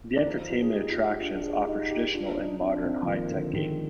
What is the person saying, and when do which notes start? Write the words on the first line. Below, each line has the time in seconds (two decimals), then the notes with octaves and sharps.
The entertainment attractions offer traditional and modern, high-tech games.
0.16 D4
0.26 F3 D#4
0.49 F4
0.62 G#4
0.73 D#4 G4
0.90 F4
0.97 G4
1.20 D4 F4
1.43 G#4
1.66 D#4 G4
1.90 G4
2.14 D4 F4
2.37 D#4
2.60 C4 D4
2.84 C4
3.03 F3
3.07 D#3 A#3
3.31 D3
3.53 D#3 G#3